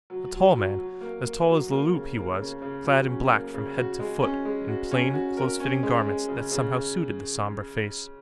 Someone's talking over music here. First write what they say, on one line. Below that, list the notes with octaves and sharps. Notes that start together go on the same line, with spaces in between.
A tall man, as tall as Le Loup he was, clad in black from head to foot, in plain, close-fitting garments that somehow suited the somber face.
F#3
F#3
F#3
F#3
A#3
A#3
F#3
A#3
C#3
A#3
C#3
C#3
F#3
C#4
A#3
C#3
F#4
G#3
C#4
G#3
F#4
C#4
F#4
A#4
C#4
G#3
G#3
C#3
C#3